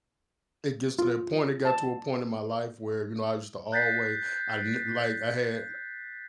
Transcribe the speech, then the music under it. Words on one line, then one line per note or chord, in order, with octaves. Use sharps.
It gets to that point, it got to a point in my life where, you know, I used to alway I n like, I had
F4
A5
F#6 G6 A6 B6 C7